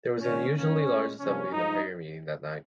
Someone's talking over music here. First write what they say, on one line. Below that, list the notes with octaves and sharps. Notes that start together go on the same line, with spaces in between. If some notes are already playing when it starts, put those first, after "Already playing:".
There was an unusually large assembly in the prayer meeting that night.
C3 D#3 G#3 C#4
G2 D#3 A#3 C#4
A#2 G#3
C3 F3 A#3 C#4
G2 F3 G#3 D#4